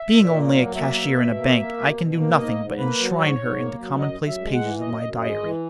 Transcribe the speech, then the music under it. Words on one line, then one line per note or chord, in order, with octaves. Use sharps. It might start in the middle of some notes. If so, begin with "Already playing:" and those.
Being only a cashier in a bank, I can do nothing but enshrine her in the commonplace pages of my diary.
Already playing: E5
A#2
A#3
F#3
A#3 E5
B2
B2
A#3
A#3
B2
B2
A#3
G#2 D#5
G#2
A#3 B4
F#3
G#2 C#5
G#2
A#3
F#3
F#2 D#5
F#2
E5
G#3
F#5
E3
F#2 D#5
F#2
G#3 D#5
E3